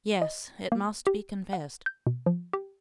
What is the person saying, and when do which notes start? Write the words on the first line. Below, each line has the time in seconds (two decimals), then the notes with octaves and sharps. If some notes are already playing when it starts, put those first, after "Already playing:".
Yes, it must be confessed.
0.22 D#5
0.72 A#3
1.07 G4
1.53 F#5
1.86 G6
2.07 B2
2.26 F3
2.53 G4